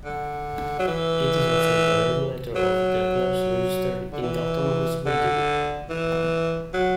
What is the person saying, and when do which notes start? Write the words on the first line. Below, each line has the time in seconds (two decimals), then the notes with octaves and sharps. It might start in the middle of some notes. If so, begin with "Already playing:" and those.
It is also the regulator of the clubs registered in the autonomous region.
0.05 D3
0.79 F#3
0.87 E3
2.56 F#3
4.12 D3
4.23 E3
5.06 D3
5.89 E3
6.74 F#3